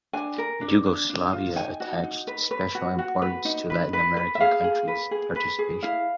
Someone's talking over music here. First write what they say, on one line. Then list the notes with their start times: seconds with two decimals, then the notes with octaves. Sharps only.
Yugoslavia attached special importance to Latin American countries participation.
0.13 D4 G#5
0.38 A#4
0.61 D4
0.86 D4
1.09 D4
1.33 F4
1.56 D#4 G#5
1.80 F#4
2.03 D#4
2.27 B4
2.51 B4
2.75 F#4
2.98 F#4
3.22 B4
3.45 D#4
3.70 B4
3.93 B4
4.17 B4
4.35 E5
4.40 G#4 F5
4.64 G#4
4.88 B4
5.11 G#4
5.36 B4
5.59 G#4
5.83 E4 F5